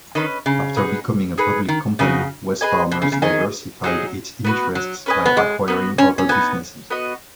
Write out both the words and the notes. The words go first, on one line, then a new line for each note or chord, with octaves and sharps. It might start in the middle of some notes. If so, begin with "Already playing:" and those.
After becoming a public company, Wesfarmers diversified its interests by acquiring other businesses.
D#3 C#4 B4 D#5
C#3
D#4 G#4 B4 F#5
D#4 G#4 B4
D#3
C#3 B3 D#4 F#4
G#4 B4 D#5 G#5
B2
C#3
C#3
D#3 G#4 D#5 G#5
F#3 D#4 G#4 D#5
B3 F#4 B4
F#3
C#4 B4 D#5 G#5
B3
G#3
B3 D#4 F#4
C#4
C#4
B3 D#4 B4 G#5
B3 F#4 D#5